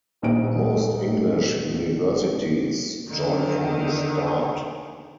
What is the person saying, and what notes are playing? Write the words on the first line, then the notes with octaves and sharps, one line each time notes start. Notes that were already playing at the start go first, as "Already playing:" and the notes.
Most English universities joined from the start.
D#1 A#1 D#4 C5 D#5 D7
D3 D#3